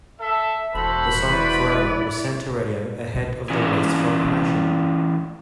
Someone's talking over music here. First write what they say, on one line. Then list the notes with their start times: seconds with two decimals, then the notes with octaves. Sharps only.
The song "Forever" was sent to radio ahead of the release for promotion.
0.20 A4 E5
0.75 E1 F#4 A4 C5 B5
1.29 E4 B4 D5
3.50 E3 C#4 E4 F4 D5 G#5